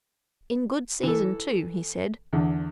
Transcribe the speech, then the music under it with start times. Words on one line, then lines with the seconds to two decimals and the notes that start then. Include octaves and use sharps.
"In good season, too," he said.
1.03 E3 A4
2.33 E2 D3